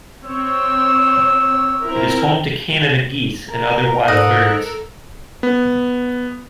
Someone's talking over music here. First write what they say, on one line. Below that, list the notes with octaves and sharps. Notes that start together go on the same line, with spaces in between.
It is home to Canada geese and other wild birds.
C4 C#5 E6
C4 E4 A#4
A#4
G#2 A4 A#4 D#5 F#6
B3